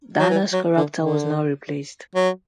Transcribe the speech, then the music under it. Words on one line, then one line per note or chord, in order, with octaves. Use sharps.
Dana's character was not replaced.
F#3
E3
F#3
D3
D3
F#3